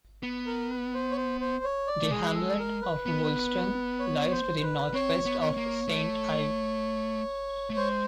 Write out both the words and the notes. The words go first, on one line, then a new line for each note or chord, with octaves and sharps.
The hamlet of Woolston lies to the northwest of Saint Ive.
B3
A#4
B4
C5
C#5
C5
C5
C#5
D5
A3
G#3 G#4
A4
A#4
B4
B3
C#5
C5
B4
C4 C#5
B3
C#5
A#3
A3
A3
G#3 C5